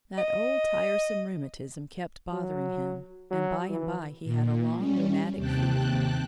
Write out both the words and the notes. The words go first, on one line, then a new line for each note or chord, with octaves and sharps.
That old, tiresome rheumatism kept bothering him, and by and by he had a long rheumatic fever.
D#5
F#3
F#3
E3
A#2
G3 C#4
D#2 C3 G5 A5 F#6